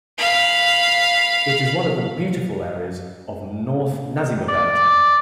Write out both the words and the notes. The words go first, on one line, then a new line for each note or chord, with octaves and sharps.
It is one of the beautiful areas of North Nazimabad Town.
F5 B5
D5